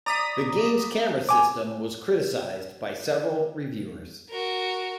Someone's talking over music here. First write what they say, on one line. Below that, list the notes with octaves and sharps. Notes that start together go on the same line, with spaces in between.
The game's camera system was criticised by several reviewers.
D5 A#5 B5 D#6
G#5 D6
F#4 A#4